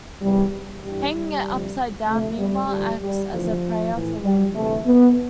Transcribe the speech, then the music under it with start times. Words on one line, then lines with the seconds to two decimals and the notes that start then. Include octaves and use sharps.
Hanging it upside-down, meanwhile, acts as a prayer for rain.
0.23 E2 C3 E3 G3
0.83 G2 E3 G3
1.15 G3
1.47 D2 C3 F3
2.08 D2 C3 F3 A3
2.39 G3
2.69 D2 D3 F3 G3
3.01 G3
3.32 D2 C3 E3 F3
3.94 A2 E3
4.24 G3
4.56 D2 C3 E3 A3
4.87 B3